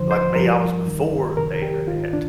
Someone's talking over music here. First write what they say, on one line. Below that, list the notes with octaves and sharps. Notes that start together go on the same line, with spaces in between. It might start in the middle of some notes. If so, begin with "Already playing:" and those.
like me, I was before the internet,
Already playing: F2 D3 F3 C5
C5
G2 F3 A#4
G2 D#3
F2 C3 D#3 A#4
G4
G#2 D#3 F4
D4